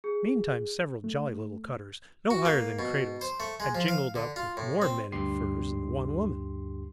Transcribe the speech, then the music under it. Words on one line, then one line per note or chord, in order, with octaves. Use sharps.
Meantime several jolly little cutters, no higher than cradles, had jingled up with more men in furs and one woman.
G#4
A3
F#4
A#3
B2
C5
A3
G#3
F3
F5
D3
F4
A2
C4
D2 G2 G4 C6 C7